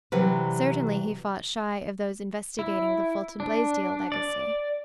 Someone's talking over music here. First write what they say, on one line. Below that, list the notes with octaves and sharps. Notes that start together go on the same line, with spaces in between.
Certainly he fought shy of those investigating the Fulton-Blaisdell legacy.
C3 E3 F#3 G3 B4
E4
D4
D5